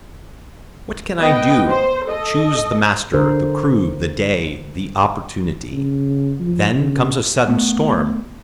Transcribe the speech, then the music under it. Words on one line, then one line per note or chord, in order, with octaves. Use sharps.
"What can I do?"--Choose the master, the crew, the day, the opportunity. Then comes a sudden storm.
B3 D#5 G5
C5
A4 D#5
D3 A#4 C5
C#3
F3
C#3
A3 B3